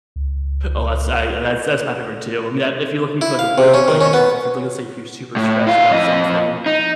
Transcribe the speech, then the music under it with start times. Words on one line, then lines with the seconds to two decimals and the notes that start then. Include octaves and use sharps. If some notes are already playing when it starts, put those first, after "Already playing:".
Oh that's I uh, that's that's my favorite too, I mean, I if you're looking for, like, a really, really good comfort food, like, let's say if you're super stressed about something,
0.16 C#2
3.21 E4
3.39 F5
3.58 C3
3.74 C#4
3.88 D#3
4.01 C#4
4.13 B3
5.36 A2
5.67 E4 F5
5.91 F2 D#5
6.66 D#4